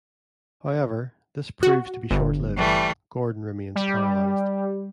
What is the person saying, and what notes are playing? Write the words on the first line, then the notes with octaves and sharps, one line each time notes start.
However, this proves to be short-lived; Gordon remains paralyzed.
F#4
G1
E3 G3 A3
G3